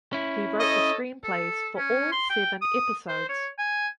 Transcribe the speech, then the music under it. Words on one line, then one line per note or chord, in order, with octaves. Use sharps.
He wrote the screenplays for all seven episodes.
C#4 E4
A4 C#5 D#5
A4
C#4
C6
G5
D#6
C5
C#5
G#5